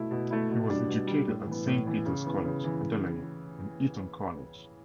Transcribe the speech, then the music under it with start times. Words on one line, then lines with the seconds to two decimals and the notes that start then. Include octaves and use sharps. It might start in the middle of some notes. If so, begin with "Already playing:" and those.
He was educated at Saint Peter's College, Adelaide, and Eton College.
Already playing: B2 A3 E4
0.11 B2
0.30 A3 E4
0.50 B2
0.69 G3 D4
0.88 B2
1.07 G3 D4
1.27 A2
1.46 E3
1.51 B3
1.66 A2
1.86 E3 B3
2.06 C#3
2.25 E3 B3
2.45 C#3
2.64 E3